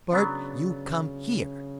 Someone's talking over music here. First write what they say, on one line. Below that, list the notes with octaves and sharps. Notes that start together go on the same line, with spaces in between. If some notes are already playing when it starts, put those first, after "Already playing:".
"Bart, you come here!"
C#3 F#3 B3 D4